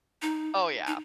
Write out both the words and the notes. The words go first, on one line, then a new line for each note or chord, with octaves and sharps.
Oh, yeah.
D#4
D#4